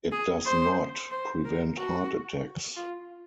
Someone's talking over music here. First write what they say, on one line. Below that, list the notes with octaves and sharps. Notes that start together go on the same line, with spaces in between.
It does not prevent heart attacks.
G#4
C5
C5
A#4
F#4
F4